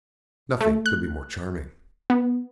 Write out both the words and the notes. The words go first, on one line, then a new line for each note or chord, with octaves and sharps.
Nothing could be more charming.
A3
F#6
B3